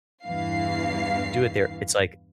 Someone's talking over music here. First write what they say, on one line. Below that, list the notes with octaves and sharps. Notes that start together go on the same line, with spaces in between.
do it there, it's like,
E2 G2 E3 F5 C7